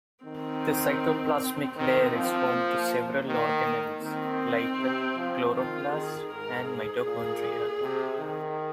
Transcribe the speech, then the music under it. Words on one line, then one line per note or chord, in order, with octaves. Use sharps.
The cytoplasmic layer is home to several organelles, like the chloroplasts and mitochondria.
D#3 C4
D#3 C4
F3
A#3
D#3
D#3 C4
C3
F3
D#3 F4
D#3 G#4
G#2 A#4
G#4
A#2
C3
D#3